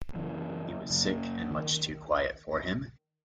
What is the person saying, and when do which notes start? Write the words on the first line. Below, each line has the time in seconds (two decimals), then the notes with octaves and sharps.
He was sick, and much too quiet for him.
0.15 F#2 C#3 E3
0.90 F#2 C#3
1.51 D#3